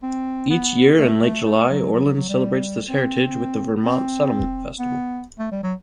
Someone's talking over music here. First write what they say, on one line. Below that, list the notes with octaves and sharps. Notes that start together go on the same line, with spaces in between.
Each year in late July, Orland celebrates this heritage with the Vermont Settlement Festival.
C4
B3
A3
A3
A3
F#3
F#3
F#3
F#3
G3
C4
C4
B3
A3
G3
F#3